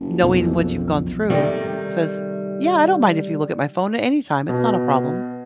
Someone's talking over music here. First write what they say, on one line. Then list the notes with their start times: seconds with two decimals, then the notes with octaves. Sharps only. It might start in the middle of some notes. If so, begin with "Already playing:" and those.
knowing what you've gone through, says, "Yeah, I don't mind if you look at my phone at any time, it's not a problem."
0.01 F#1
0.23 B1 F2
1.30 C3 D#3 G3 A3
4.49 B2